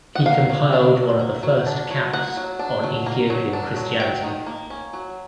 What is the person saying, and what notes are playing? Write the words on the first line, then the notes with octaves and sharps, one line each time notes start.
He compiled one of the first accounts on Ethiopian Christianity.
F#5
A#3 F5
F#3
D4
F#3
A#3
F#3
D4
F#3
A#3 F#5
F#3
D4
F#3
A#3
F#3
D4
F#3
F#3 G5
D#3
A#3
C#4
F#3